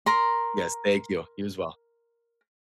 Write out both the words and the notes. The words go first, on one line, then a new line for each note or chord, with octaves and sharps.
Yes, thank you. You as well.
A#4 A#5 C6